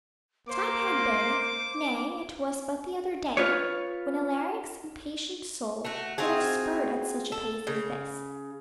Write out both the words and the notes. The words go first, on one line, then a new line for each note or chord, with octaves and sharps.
Time had been--nay, it was but the other day--when Alaric's impatient soul would have spurned at such a pace as this.
A#3 C5 D6
F4 B4 C#5
A3 F#4
C4 F4 F#4 G#4
A4
C#3